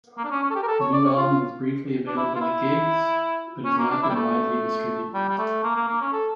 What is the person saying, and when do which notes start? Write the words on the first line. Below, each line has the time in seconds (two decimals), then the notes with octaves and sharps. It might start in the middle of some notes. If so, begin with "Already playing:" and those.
The new album was briefly available at gigs, but has not been widely distributed.
0.17 A#3
0.25 D4
0.30 C#4
0.43 C#4
0.50 A4
0.55 G4
0.62 A#4
0.67 A4
0.80 C#5
0.93 D5
1.05 C#5
1.17 F4
2.07 D4
2.17 E4
2.35 F4
2.40 E4
3.64 C#4
3.78 A#3
3.90 D4
4.03 E4
4.09 G3
4.15 A3
5.14 G3
5.29 G3
5.38 A3
5.63 A#3
5.76 A#3
5.88 A#3
6.01 C#4
6.12 A4